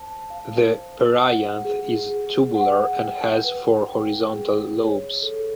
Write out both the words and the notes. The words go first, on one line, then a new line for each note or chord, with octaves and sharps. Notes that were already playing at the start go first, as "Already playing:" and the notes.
The perianth is tubular and has four horizontal lobes.
Already playing: C5 A5
F5
C5
F#5
G#4
G#4
F#5
G5
B4
G5
G#4
C#5
A4